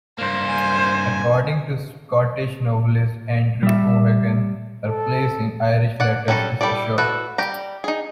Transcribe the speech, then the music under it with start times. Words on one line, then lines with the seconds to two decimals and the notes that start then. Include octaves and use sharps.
According to Scottish novelist Andrew O'Hagan, her place in Irish letters is assured.
0.18 G2 A#3 C5
0.49 G#5
3.63 G3 E5
4.87 A4
6.00 D5 F#5
6.28 F#3 G3 C#4 A4 A#4
6.61 G3 E4 A4 D5
6.98 E4 F#4 A4 B4 E5
7.38 G3 G4 A#5
7.84 D#4 G#4